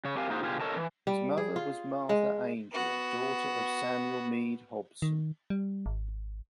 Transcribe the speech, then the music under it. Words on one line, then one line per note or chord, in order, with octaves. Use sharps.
His mother was Martha Angel, daughter of Samuel Meade Hobson.
C#3 C#5
C4 G4 A#4 F5 G#5
A#3 D#4 F4 F#4 G#4 C5
B2 D3 F4 G4 G#4
A4 A#4 C#5 D#5 A5
E3
G3
G#4
F4
G#3
B3 F#4
D#3
G3
G#1